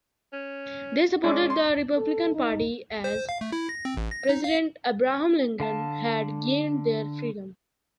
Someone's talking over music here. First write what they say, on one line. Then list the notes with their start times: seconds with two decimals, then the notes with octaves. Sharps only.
They supported the Republican Party, as President Abraham Lincoln had gained their freedom.
0.33 C#4
1.24 G#3 C#4 D4 D5
1.50 C6
1.97 A4
2.35 D#4
3.04 C5
3.29 F5
3.41 A3
3.52 E4
3.69 A#6
3.85 C4
3.97 A1
4.11 A#6
4.29 D#4
4.44 F5
5.60 D3 F5 A5